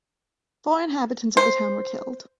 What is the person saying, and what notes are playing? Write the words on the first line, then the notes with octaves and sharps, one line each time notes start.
Four inhabitants of the town were killed.
C5